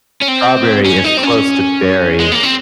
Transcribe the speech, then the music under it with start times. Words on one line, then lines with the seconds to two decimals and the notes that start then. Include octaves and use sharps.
strawberry is close to berry,
0.22 C#4
0.29 C4
0.85 C#4
1.04 D#4
1.17 C4
1.23 C#4
2.20 G#3
2.32 A#3
2.43 C4